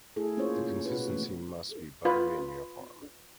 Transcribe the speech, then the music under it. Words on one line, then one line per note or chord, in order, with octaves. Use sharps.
The consistency must be buttery and uniform.
A3 E4 G#4 A4
A#3 C#4 D4 F4 C5 C#5
C3
B2 F#4 B4
E3 G#3 A3 C#4
F4 B4